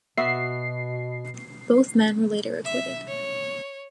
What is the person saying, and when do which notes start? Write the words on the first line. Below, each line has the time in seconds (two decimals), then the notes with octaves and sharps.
Both men were later acquitted.
0.18 B2 B3 F#4 E5 C7
2.65 E5
3.08 C#5